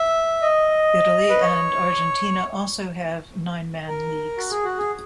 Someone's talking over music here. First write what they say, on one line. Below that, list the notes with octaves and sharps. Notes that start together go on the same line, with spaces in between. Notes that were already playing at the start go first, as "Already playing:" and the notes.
Italy and Argentina also have nine-man leagues.
Already playing: E5
D#5
B4
C#5
A#4
F#4
G#4
F#4
G#4